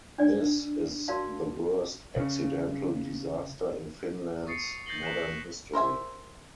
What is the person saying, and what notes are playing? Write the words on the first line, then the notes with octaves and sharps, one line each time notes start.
This is the worst accidental disaster in Finland's modern history.
D4 D5 G#5
F#4 A#4 D5 F5 A5
C#3 C#4
C#6 D#6 A6 C7 C#7
G6 A6 A#6 C7 F#7 G7
F#6 A#6 B6 D7 E7 F#7
A#4 C5 E5 G#5